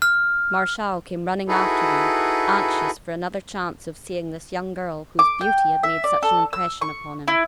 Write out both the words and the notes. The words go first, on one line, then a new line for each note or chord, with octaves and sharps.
Martial came running after them, anxious for another chance of seeing this young girl whose beauty had made such an impression upon him.
F6
D#4 E4 F#4 G#4 A4 B4
D6
G5
E5
D5
A4
E6
C#6
E4